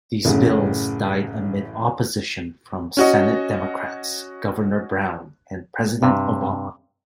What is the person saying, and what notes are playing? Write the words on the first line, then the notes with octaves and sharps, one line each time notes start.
These bills died amid opposition from Senate Democrats, Governor Brown, and President Obama.
A1 F#2 C#3
C#4 F#4 D#5
G2 C3